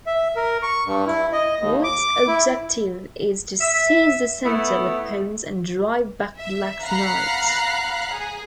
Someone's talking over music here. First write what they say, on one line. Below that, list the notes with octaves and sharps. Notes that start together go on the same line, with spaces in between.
White's objective is to seize the center with pawns and drive back Black's knights.
E5
A#4
C#6
G2
E4
D#5
D#2
D6
E4
E5
A3 B3 E4
E5
F5 F#5 A#5 B5 F#6 C7
G#4